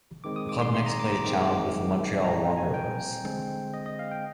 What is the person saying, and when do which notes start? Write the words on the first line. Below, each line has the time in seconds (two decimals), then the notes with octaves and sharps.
The club next played a challenge with the Montreal Wanderers.
0.24 D#3 G#3 C4 D6
0.36 D#6
0.49 D6
0.61 C6
0.75 C6
0.86 A#5
0.99 D6
1.12 D6
1.24 D#3 G#3 C4 D6
2.24 A#2 G3 C4 A#5
2.57 G#5
2.74 G5
3.24 D3 G#3 C4
3.74 D#5
3.86 D#5
3.99 F5
4.11 G5